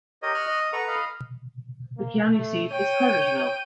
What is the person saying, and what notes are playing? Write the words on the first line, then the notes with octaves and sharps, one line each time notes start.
The county seat is Cartersville.
G4 A#4 C#5 D#5
C#6 F6 F#6
D#5
A4 B4 F#5 A#5 C#6
D#5 F5 B5
A#3
A3
C#5 G5 D#7